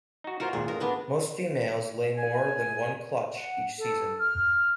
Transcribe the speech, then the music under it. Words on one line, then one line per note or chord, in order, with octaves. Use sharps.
Most females lay more than one clutch each season.
D#4 F#4
F4 F#4 A#4 C5
G#1 A#2 G#4
A1 A#4
B3 D4 B4
G#5
F#5
A4
F6